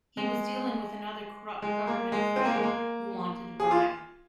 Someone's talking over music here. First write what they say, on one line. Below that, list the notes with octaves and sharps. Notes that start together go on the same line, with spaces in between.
He was dealing with another corrupt government official who wanted a bribe.
G#3
G#3
A#3
G#3
C4
A#3
G#3
A#3
G#4
F4